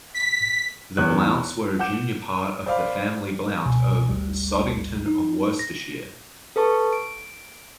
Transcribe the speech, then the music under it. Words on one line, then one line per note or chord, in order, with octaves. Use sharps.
The Blounts were a junior part of the family Blount of Sodington of Worcestershire.
B6
E2 C#5 F#6
F#5 D6 G6 E7
C5 D5 F5 B5
C#2 B2 G#5
G#1 D2 G3
D#4
A#6
A4 B4 A5 C#6
D7